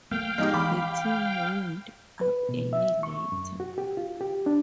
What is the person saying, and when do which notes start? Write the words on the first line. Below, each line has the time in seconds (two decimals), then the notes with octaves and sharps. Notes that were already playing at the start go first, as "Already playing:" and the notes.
The team wound up a year later.
0.11 F#3 A3 A#3 F5 G5
0.38 F3 G#3 D#4 G4
0.53 E3 B5 D6
2.21 B4
2.49 B2
2.73 E5
3.03 C#6
3.32 F#2
3.60 F#4
3.78 G4
3.97 F4
4.21 G4
4.46 D4